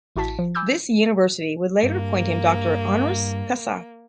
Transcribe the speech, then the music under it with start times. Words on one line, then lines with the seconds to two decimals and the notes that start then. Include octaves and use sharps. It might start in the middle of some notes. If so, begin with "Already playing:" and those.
This university would later appoint him doctor honoris causa.
0.16 A1 E4 F#4 A5 B6
0.39 F3
0.55 G#5 B5 D6 E6 G6 G#6
1.83 G2 A#3